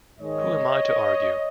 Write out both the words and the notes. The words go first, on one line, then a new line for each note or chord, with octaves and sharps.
Who am I to argue?
G#2 D#3 G#3 C#5 D#5